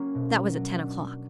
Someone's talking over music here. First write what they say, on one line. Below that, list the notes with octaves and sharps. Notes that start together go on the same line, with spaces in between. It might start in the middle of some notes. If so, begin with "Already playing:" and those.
That was at ten o'clock.
Already playing: F#3 A#3 C#4
B2
F#3
F#3
D4
F#3